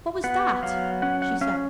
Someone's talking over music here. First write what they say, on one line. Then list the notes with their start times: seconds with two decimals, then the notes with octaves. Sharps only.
"What was that?" she said.
0.24 B3 F#5
0.63 F#3 F5
1.02 C#4 F#5
1.22 F#5
1.41 C#4 F5